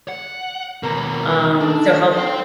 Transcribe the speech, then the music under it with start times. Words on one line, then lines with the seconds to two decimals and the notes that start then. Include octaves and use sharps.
Um, so help
0.09 F#5
0.83 D#2 B2 A#4 A#5
1.60 D4 D#4 A4
2.13 C5 G5